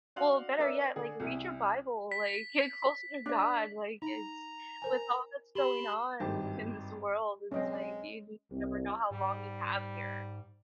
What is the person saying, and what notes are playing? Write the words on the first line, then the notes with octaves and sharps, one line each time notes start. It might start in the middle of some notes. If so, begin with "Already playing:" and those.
well, better yet, like read your Bible, like, get closer to God. Like it's with all that's going on in this world, it's like you never know how long you have here.
D4 F#4 F5 C6 F#6 F#7
C#4 D4 A#4 B4 D5 E5
D3 G#4
C2 E4 G#4
B6
D4 D5
D#4 A#5
A#4 C5 G#5
G4 A5 B5 C6
G#1 G2 D#3 G4 C5 A5
B1 G#3 C4 C#4 D#5
C2
G#2 G3